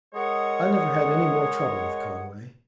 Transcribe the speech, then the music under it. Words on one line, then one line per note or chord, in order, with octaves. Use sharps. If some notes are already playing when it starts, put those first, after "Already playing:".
I never had any more trouble with Conway.
G#3 G#4 A#4 C#5 D#5 F#5